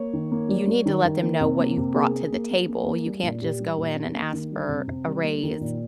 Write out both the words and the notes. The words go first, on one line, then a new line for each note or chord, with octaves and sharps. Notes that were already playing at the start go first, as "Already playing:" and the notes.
you need to let them know what you've brought to the table; you can't just go in and ask for a raise,
Already playing: A#3 C#5
D#3
A#3
G3
G3
D#3
D#3
A#3
C3
A#3
C3
A#3 G#4
A#3
A#3
A#3
A#3
A#3
G3
A#2
A#2 G4
G3
A#2
A#3
A#3
D#3
G3
C3
C3
G3
A#3
D#3
A#2